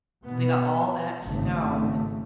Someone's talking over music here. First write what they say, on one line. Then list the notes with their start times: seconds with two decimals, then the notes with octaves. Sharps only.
We got all that snow
0.25 B2 B3
1.24 G#1 C#3 A3